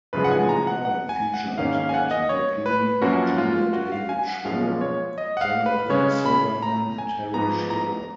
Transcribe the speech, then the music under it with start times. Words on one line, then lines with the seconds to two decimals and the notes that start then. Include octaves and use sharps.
The recording featured Ed Begley, Junior David Schwimmer, Jonathan Silverman and Harry Shearer.
0.13 F#2 C#3 F3 G#3 B4
0.24 F#5
0.31 G#5
0.49 A#5
0.67 F#5
0.85 F#5
1.09 G#5
1.34 F#5
1.58 G#2 D#3 A#3 C#4 F5
1.75 F5
1.89 G#5
1.94 F#5
2.11 D#5
2.29 C#5
2.66 B4
3.01 F#2 F3 A#3 C#4 F#4
3.38 F4
3.73 F#4
3.92 F5
4.09 G#5
4.19 G#5
4.28 F#5
4.45 F#2 F3 G#3 C#4 F5
4.81 C#5
5.18 D#5
5.37 F#5
5.41 F5
5.66 B4
5.90 C#3 G#3 C#4 C#5
6.26 B5
6.62 A#5
6.98 G#5
7.34 G#2 F3 B3 A#5
7.70 A#5